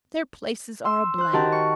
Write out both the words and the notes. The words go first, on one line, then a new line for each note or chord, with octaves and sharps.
Their places are a blank.
C6 E6
C5 F#6
D#3 F#4 G4 A#4 A5 F#6
C#6